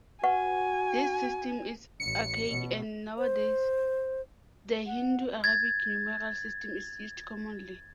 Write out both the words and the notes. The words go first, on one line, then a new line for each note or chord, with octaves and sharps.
This system is archaic and nowadays the Hindu–Arabic numeral system is used commonly.
F#4 B4 F#5 G#5 C#6
A1 C#7
B2
C5
F#5
G#6 A6